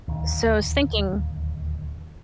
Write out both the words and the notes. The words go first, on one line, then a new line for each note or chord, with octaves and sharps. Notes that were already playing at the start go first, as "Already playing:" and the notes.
So I was thinking
D1 D#2